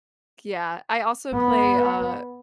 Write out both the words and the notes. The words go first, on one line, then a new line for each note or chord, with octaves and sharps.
Yeah, I also play, uh,
B3